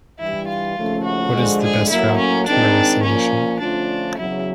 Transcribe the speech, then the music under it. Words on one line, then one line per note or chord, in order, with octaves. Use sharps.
What is the best route to my destination?
G2 E3 G3 E4
F4
D#2 C#3 F3 A3 C#4
F#4
D3 F3 G#3
G#4
A2 F#3 A#3 E4
C#4
D#3 G#3 C4 D4 D#4
A#2 F3 A#3 C#4
D3 F3 A3 C#4 D4 F4
E2 C#3 F#3 E4